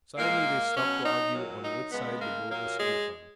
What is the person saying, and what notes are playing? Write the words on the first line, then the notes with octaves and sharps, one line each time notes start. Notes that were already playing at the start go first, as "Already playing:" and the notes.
Suddenly they stopped to argue on which side the boat was to be found.
A#2 G#3 A#3
B2 F#3 C#4
D#4
A#2 F#3
D#4
C#3 G#3 B3
A#3
A#2 F#3 A#3
G#3